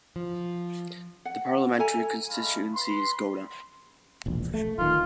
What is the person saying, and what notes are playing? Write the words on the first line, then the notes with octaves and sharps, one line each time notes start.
The parliamentary constituency is Godda.
F3
F#5
A4 E5 G#5 A#5
G#3 A3 D#4 F5 B5
B4 B5 C6
E1 A#1
A3
D1 D#3 F4